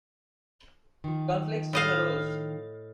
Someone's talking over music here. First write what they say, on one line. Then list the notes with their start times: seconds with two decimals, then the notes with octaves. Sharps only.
Conflicts soon arose.
1.04 D#3 F3
1.73 A2 D#5 F5